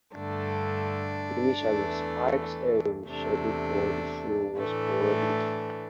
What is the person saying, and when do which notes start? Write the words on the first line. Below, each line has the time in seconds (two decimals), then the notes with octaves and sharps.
Initially, Spike's airing schedule for the show was sporadic.
0.14 G2 D3 A3 D4
1.61 E2 E3 A3
3.09 E2 C3 A3 D4
4.57 A2 E3 A3 D4